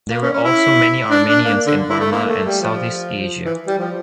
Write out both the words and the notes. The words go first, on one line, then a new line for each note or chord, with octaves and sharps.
There were also many Armenians in Burma and Southeast Asia.
A#3
C#4
C#4
E4
D4
D4
A#3
D3
E4
A3
A#3
A3
G3
F3
E3
G3
F3